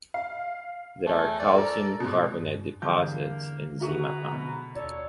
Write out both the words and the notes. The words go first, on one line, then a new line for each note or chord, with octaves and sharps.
There are calcium carbonate deposits in Zimapan.
F5
E2 A3
D5
A4 A#4
G#2 B2
G2
E2 G2 D3 A#3 D6 G6
G#2 F#4 G#4 B4 E5 A#5 C#6
B2
D#2 A#2 A4 C#5 D5